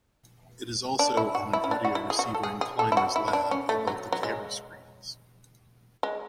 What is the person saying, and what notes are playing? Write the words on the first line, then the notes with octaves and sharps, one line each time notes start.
It is also on an audio receiver in Kleiner's lab, above the camera screens.
D4
E4
F#4
E4
C#4
D4
F#4
E4
G#4
F#4
A4
G#4
G#4
A4
E4
F#4
E4
E4
D4
C#4
A3
F#3
F#3
G#3
G#3